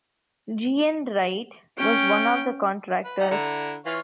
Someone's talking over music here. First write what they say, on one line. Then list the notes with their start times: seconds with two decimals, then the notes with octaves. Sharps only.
G. N. Wright was one of the contractors.
1.77 C#4 G5
3.04 B4
3.20 D#4 G4 F#5
3.31 D3 E4 A#5
3.86 E3 F4 C#5 F5